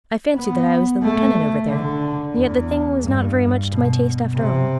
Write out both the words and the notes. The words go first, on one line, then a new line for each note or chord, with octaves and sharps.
I fancied that I was the lieutenant over there: and yet the thing was not very much to my taste after all.
B3
A3
D3
E2
G2
B2
C3